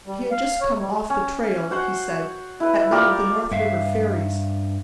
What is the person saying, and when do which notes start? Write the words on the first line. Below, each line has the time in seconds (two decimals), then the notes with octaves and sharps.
He had just come off the "trail," he said, at one of the North River ferries.
0.06 G3
0.31 F5
0.61 C#5
0.79 G3
1.10 C#4
1.71 F#4 C5 F#5
2.60 E4 B4
2.91 F4 G4 A#4 D5
3.51 G2 E5 F5